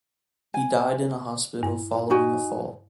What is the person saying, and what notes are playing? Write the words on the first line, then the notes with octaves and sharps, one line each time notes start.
He died in a hospital following a fall.
G#5
G2
D#4 F#4 G#5